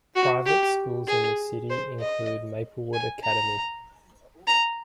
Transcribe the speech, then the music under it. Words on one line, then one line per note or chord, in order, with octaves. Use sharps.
Private schools in the city include Maplewood Academy.
F#4
G4
G#4
C5
D#5
G#5
A#5
A#5